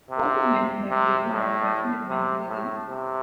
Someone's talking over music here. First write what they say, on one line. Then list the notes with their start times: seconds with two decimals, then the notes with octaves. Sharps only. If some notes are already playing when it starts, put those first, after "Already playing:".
What was meant by saying that a person is mentally ill?
0.11 C3
0.90 C3
1.29 A2
2.08 C3
2.48 A2
2.87 C3